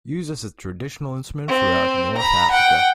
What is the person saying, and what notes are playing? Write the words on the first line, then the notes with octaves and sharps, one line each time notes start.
Used as a traditional instrument throughout North Africa.
C4
A#5 B5
F#5 G5